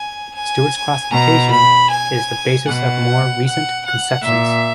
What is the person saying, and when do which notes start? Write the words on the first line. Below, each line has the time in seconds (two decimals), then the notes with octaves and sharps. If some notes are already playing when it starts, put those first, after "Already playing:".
Stewart's classification is the basis of more recent conceptions.
Already playing: G#5
0.34 G#5
1.12 B2 A#5
1.51 B5
1.90 G#5
2.68 B2 F#5
3.46 F#5
3.85 F#5
4.23 A#2 E5